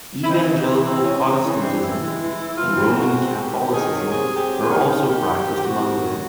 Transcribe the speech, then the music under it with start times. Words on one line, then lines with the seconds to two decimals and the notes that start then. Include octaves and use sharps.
Evangelical Protestantism and Roman Catholicism are also practiced among them.
0.24 E4
0.28 C4 D#4
0.47 E3 D#4
0.66 E3 E4
0.85 C4 E4
1.04 G#3 C#4
1.24 E3 C4
1.43 E3 C#4
1.62 C4 D4
1.82 E3 E4
2.00 G#3
2.19 E3
2.39 E3
2.57 E3 F4
2.76 C4
2.95 G#3 F#4
3.15 C4
3.34 D#3 G4
3.53 C3
3.71 D#3 G#4
3.92 F#3
4.11 C3 G#4
4.29 C3
4.36 G4
4.48 F#3
4.62 G#4
4.68 D#3
4.86 D#3 G4
5.06 D#3
5.25 D#3
5.43 C3
5.54 G4
5.63 C3 F#4
5.82 D#3
6.01 F#3